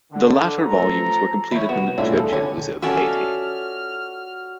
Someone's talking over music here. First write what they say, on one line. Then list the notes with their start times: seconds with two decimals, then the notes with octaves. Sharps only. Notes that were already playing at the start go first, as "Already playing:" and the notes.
The later volumes were completed when Churchill was over eighty.
0.13 D3
0.64 A1 F3 A4 C5 A#5
1.52 D#2 F3 E4 C#5
1.69 C2 F2 B3 F#4
1.98 E3 A3 C#4 D4 E4 F4
2.17 G#4 A4
2.33 D3 C#4
2.82 C#4 F#4 A4 D5 E5 A5 F6